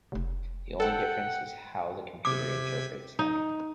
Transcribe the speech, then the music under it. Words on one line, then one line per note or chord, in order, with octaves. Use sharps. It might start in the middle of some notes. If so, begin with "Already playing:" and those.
The only difference is how the computer interprets them.
F1
A4 F#5 G5
C3 D6 G#6 B6
D#4